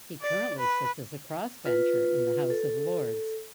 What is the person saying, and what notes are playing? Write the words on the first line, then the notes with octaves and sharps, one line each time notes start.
He currently sits as a crossbencher in the House of Lords.
D5
B4
F4 B4
A4